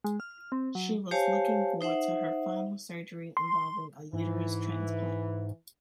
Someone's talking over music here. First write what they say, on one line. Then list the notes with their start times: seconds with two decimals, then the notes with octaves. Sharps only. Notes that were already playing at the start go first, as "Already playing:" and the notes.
She was looking forward to her final surgery involving a uterus transplant.
0.04 G#3
0.20 F6
0.52 C4
0.75 F#3
1.11 G4 C5 C#5 F5 G#5 A5
1.81 D#4 C5 E5 F#5
3.37 C6
4.13 G#2 E3